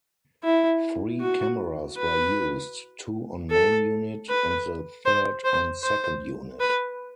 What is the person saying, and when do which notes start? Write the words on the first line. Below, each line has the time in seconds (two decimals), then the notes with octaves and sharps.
Three cameras were used, two on main unit and the third on second unit.
0.43 E4
1.20 F#4
1.98 B4
3.51 A4
4.29 B4
5.05 C5
5.44 C5
5.83 C5
6.60 B4